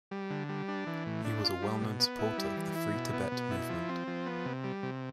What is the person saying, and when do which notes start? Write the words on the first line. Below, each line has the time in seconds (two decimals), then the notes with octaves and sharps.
He was a well-known supporter of the Free Tibet movement.
0.11 G3
0.30 D3
0.49 G3
0.68 D4
0.87 E3
1.06 A2
1.25 D4
1.44 F4
1.62 G3
1.81 B2
2.00 B3
2.19 E4
2.38 G3
2.57 E3
2.76 E4
2.94 B2
3.13 B3
3.32 B2
3.51 E4
3.70 F3
3.89 C4
4.08 F3
4.26 B3
4.45 C3
4.64 G3
4.83 C3